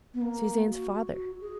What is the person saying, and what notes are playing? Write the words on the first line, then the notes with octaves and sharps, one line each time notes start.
Suzanne's father!
B3
A#3
F#4
F#4
G#4